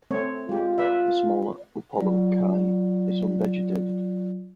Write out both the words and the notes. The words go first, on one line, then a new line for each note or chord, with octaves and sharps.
The smaller Upolu Cay is un-vegetated.
A3 C4 C#5
G#3 F4 G4
B4 D5 E5
F#3 F4 D5